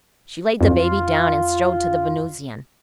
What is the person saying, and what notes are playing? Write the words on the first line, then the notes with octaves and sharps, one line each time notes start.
She laid the baby down, and strode to the Venusian.
F2 F4